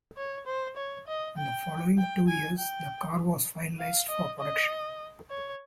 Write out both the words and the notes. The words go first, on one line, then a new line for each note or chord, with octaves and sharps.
In the following two years the car was finalised for production.
C#5
C5
C#5
D#5
G5
G5
G#5
G5
F5
D#5
D#5
C#5